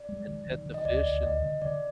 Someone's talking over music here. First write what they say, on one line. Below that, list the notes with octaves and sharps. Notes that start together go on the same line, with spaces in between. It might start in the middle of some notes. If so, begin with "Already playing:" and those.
and pet the fish and
Already playing: D5
G#3
D#3
D#3
D#3
D#5
D2 D5
D2
D2 D#5
D3
D3 D5